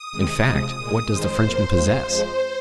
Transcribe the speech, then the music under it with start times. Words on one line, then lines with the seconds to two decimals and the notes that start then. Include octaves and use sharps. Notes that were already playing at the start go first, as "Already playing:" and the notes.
In fact, what does the Frenchman possess?
Already playing: D#6
0.12 C3 D#3 G#3
0.44 C3 F3 G#3 D#6
0.76 A#2 G#3
1.09 F2 D#3 G#3 C5
1.41 F2 F3 A#3
1.74 F2 F3 G#3 C5
2.06 F2 F3 G#3